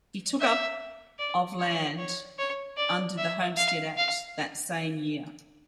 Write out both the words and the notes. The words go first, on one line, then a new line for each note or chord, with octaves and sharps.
He took up of land under the homestead act that same year.
E5
D5
C#5
C#5
C#5
D5
E5
F5
F5